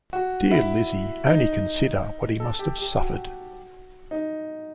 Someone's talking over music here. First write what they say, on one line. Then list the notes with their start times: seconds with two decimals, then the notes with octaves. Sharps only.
Dear Lizzy, only consider what he must have suffered.
0.13 F#4
0.51 E4
1.26 D#4
2.40 A4
2.59 G4
2.78 G4
2.97 F#4
4.11 D#4